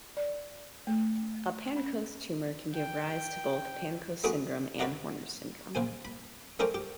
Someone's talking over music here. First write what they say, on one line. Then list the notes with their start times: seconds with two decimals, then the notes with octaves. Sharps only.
A Pancoast tumor can give rise to both Pancoast syndrome and Horner's syndrome.
0.17 D5
0.87 A3
1.76 C#4
2.73 G5
4.24 A3 B3 D4 F#4 G#4
4.79 B4 C#5 D5 F#5 A#5
5.75 A#1 C#3 C5 G#5
6.05 B5
6.59 A3 C#4 A#4 C5 D5 G5
6.74 G4